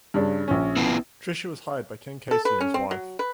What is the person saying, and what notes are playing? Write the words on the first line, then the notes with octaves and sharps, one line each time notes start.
Tricia was hired by Ken Casey and his wife.
G2 C#3 D4
A#1 C#4
B3 E4 F4
A4
B4
C#4
C4
F#3
B4